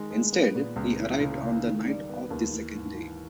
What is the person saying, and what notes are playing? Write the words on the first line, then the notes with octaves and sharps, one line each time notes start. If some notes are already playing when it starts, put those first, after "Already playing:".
Instead, he arrived on the night of the second day.
Already playing: D#3 G#3
G#3
B3
A#2
C#2
E3
C#3
C#3
D#3
G3
B3
D#2
E3
G#2
E3